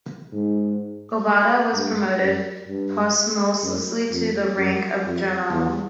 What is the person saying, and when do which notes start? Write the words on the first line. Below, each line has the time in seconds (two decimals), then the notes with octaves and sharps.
Obata was promoted posthumously to the rank of general.
0.33 G#2
1.74 G2
2.21 F#2
2.68 G2
3.63 F#2
4.10 F2
4.57 F#2
5.04 F2
5.51 E2